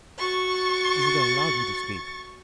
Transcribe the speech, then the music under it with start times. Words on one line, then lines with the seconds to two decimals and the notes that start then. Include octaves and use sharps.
You should have allowed me to sleep.
0.18 F#4 C#6 A6